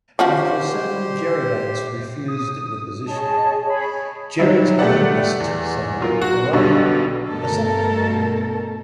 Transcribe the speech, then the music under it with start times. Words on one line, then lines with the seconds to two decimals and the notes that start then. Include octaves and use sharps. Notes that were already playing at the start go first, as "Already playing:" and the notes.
After several Jaredites refused the position, Jared's youngest son Orihah accepted.
0.19 F3 C#4 F#4 G4 C5
2.28 D#6
3.08 G#4 C#5 D#5 A5
3.67 G#4 C#5 B5
4.39 D#3 F#3 G3 D#4 E4
4.79 A3 G4 B4 D5 F#5
5.40 E2
6.01 F#3 F4 A#4
6.22 F#4
6.53 B1 B2 D3 G3
7.29 G2 B2 A3 A4 A#4